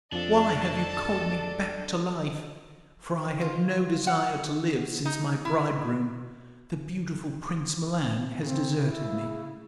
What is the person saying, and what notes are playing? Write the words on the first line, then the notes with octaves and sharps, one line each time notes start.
'Why have you called me back to life? For I have no desire to live since my bridegroom, the beautiful Prince Milan, has deserted me.'
F2 F3 D4 A4 D#5 A5
F4
F#5
D#4
E4
C#3 C4
E4